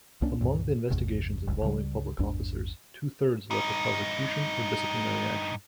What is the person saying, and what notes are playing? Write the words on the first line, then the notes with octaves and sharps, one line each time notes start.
Among the investigations involving public officers, two-thirds led to prosecution or disciplinary action.
C2 A#3 C#4 D4
C#2 G2 A#2 D#3
A1 E2 G2 C3
F1 C#2
C#2 C#3 G3
A1 E2 G2 D4
G2 D#4